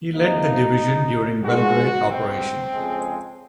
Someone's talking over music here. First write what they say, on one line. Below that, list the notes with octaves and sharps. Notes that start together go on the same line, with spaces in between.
He led the division during Belgrade Operation.
F2 C3 F3 A#3 D#4
G#2 F3 G#3 F#4
C4
F2 C#3 G#3